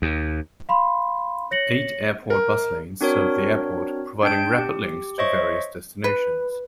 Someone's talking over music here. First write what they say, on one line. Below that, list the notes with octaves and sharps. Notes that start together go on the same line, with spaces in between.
Eight airport bus lines serve the airport, providing rapid links to various destinations.
D#2
F5 B5 C6
C#5 A#6 C#7 F#7
A#4
C4 D4 F#4 A#4 C#5
D4 G5 A5 G6 D7
G4
C5 C#5 D#5 E5 C#6
B4